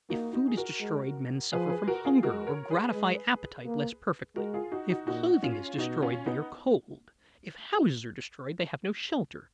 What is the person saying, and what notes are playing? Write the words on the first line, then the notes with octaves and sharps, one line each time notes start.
If food is destroyed, men suffer from hunger or gratify appetite less perfectly; if clothing is destroyed, they are cold; if houses are destroyed, they have no shelter.
A#3 D#4 F#4
D#4 F#4
G#4
F#4 A#4
G#3
F3 G#4 B4
G#4 B4
F#4 A#4
F4 G#4
G#3 F#4 A#4
A#4 C#5
G#4 B4
G#3
A#3
G#3 F#4 A#4
F4 G#4
D#4 F#4
D#4 F#4
A#2 D#4 F#4
C#4 F4
B2 D#4 F#4
C#4 F4
B3 D#4